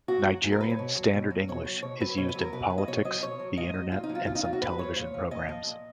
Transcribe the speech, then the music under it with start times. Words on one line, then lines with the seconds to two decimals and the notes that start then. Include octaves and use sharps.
Nigerian Standard English is used in politics, the Internet and some television programs.
0.08 A#2 F#4
0.26 F#3
0.43 A#2 G#4
0.52 A#4
0.61 F#3 B4
0.70 C#5
0.79 B2
0.96 F#3
1.13 B2
1.30 F#3
1.48 B2 C#5
1.65 F#3
1.82 B2 C#5
2.00 F#3 B4
2.17 B2 C#5
2.29 B4
2.35 F#3
2.41 A#4
2.52 B2 B4
2.70 F#3
2.78 D#5
2.87 B2 C#5
3.05 F#3 D#5
3.22 B2 C#5
3.39 F#3
3.57 A#2 D#5
3.75 F#3
3.92 A#2 F4
4.03 D#4
4.09 F#3
4.15 F4
4.26 A#2 F4
4.35 D#4
4.44 F#3 F4
4.53 F#4
4.61 A#2 B4
4.78 F#3 C#5
4.96 A#2 C#5
5.14 F3
5.31 A#2 D#5
5.49 F3
5.66 A#2